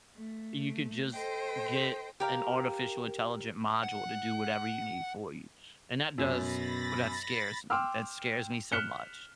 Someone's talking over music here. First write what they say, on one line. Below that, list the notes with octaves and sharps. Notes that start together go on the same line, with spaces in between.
you could just get an artificial intelligent module to do whatever you need for you? And that does well, that scares me. That scares me so much.
A3
A4 C5 D#5 G5
G4 A#4 F5
F#5
F#2 B2 B5 A6 A#6
G5 C6 D6 E6 F6
F6 F#6 B6 C#7 E7 G7